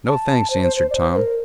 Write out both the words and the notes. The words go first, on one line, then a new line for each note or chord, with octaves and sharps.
"No, thanks," answered Tom.
A5
C5
C5
C5
D5
C5
C5
A#4